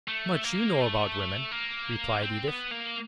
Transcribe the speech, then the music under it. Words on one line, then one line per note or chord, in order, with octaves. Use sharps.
"Much you know about women," replied Edith.
A3
A#3
A3
A#3
C4
B3
A#3